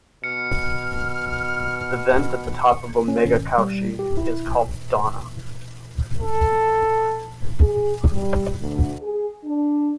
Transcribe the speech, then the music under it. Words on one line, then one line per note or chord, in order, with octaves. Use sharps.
The vent at the top of Omega Cauchy is called Donna.
B2 F6 C#7
C#4
G#1
G3
G4
E4
A4
G#4
G3
D2
G#4
D4